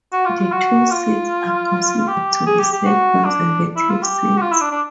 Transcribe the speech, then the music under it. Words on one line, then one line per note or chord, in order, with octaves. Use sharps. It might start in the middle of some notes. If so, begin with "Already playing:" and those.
The two seats are considered to be safe Conservative seats.
F#4
F4
F4
F#4
F4
G4
G#4
G4
G4
F#4
D4
E4
F4
G4
F#4
F4
E4
D4
D4